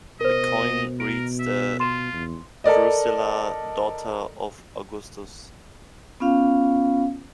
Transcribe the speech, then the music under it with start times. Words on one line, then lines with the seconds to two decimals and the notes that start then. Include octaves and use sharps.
The coin reads to Drusilla, daughter of Augustus.
0.21 B2 A#4 C5 D#5
1.00 A#4 D7
1.40 E5
1.80 F4 C6 E7
2.13 E2
2.64 A4 A#4 D5 D#5
6.20 B3 C#4 F4 F5